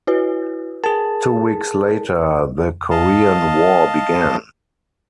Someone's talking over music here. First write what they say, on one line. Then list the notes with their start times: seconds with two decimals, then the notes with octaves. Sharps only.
Two weeks later the Korean War began.
0.07 E4 F#4 B4
0.84 G#4 A#4 A5
2.91 D#5 F5 A5